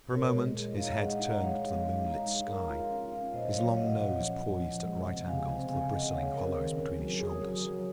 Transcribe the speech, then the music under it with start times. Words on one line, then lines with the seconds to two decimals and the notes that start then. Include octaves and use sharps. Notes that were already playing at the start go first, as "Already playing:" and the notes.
For a moment his head turned to the moonlit sky, his long nose poised at right angles to the bristling hollows between his shoulders.
0.12 A#2 A#4 C#5
0.33 G#3
0.55 G#3
0.76 D#4 C#5 F5
0.97 G#3 D#5 F#5
1.19 D#4 D#5 F#5
1.41 G#3 C#5 F5
1.62 G#3
1.83 G#3
2.05 D#4
2.26 G#3
2.48 A#4
2.70 F4
2.91 C#4
3.12 C#4
3.34 A#2 C5 D#5
3.55 F#3 C#5 F5
3.77 A#2 D#5 F#5
3.98 F3
4.20 C#4
4.41 C#4
4.63 F3
4.84 G#3
5.05 C3
5.27 C#3 F5 G#5
5.49 C4
5.70 C#3 F5 G#5
5.91 C#3 D#5 F#5
6.13 C#3 C#5 F5
6.34 C4 A#4 C#5
6.56 D#3
6.77 C#4
6.98 F#3
7.20 G#4
7.42 F#3
7.63 F#3